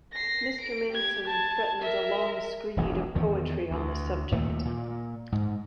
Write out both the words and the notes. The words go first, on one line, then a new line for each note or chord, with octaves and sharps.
Mr. Manson threatens a long screed of poetry on the subject.
A#6 C7
D7
G4 G#6
A5 G#6
A#4 E5
E1 A#1 E3
E2 D#3
D2
D#2 A#2 A3
A#2
G#2